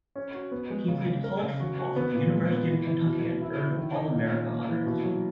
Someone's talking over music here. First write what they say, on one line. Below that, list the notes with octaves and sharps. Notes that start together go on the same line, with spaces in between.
He played college football for the University of Kentucky and earned All-America honors.
C#4
F#4
B3
G#3
C#3
C#3
A#4
C#3
F#4
F#4
B3
A#2
G#3
B3
E3
E3
B2
B2
E4
E4
D#3
D#4
A#2
C#4
A#3
E3
B2
F#3